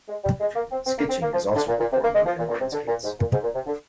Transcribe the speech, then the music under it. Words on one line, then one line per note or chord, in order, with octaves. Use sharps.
Skitching is also performed on inline skates.
G#3
G3
G#3
A#3
C4
C4
A#3
C4
A#3
F3
D3
A#2
A#2
C3
A#3
G#3
F3
A#2
A#2
C3
D3
A#2
G#2
A#2
G#2
A#2
C3
D3